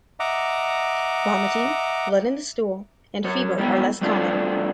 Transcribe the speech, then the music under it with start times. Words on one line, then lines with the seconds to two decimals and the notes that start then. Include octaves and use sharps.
Vomiting, blood in the stool, and fever are less common.
0.20 D#5 E5 F#5 A#5 D6
3.24 F#2 C#5
3.58 G3 G#3 B3 E4 G4
4.01 G3 A3 C4 D4 F4